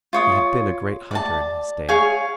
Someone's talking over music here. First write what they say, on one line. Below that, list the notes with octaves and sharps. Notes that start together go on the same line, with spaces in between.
He had been a great hunter in his day.
F4 C#5 D#6
D5 A5
G#4 C#5 F5 G#5